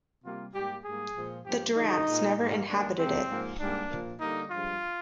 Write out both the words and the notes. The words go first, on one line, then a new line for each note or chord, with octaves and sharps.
The Durants never inhabited it.
C3 G3 A#3 F4
G#2 G3 A#3 G4
G#2 G3 A#3 G#4
A#2 F3 G#3
G2 F3 A#3 G4
D3 F3 G#3 D#4
A#2 G#3
G#2 G3 A#3
G2 D#3 A#3 D4
C3 F3 G#3 C4
G#2 F3 A#3
G#2 G3 A#3 D4
A#2 F3 A#3
D3 G3 A#3 D#4
G2 F3 G#3 F4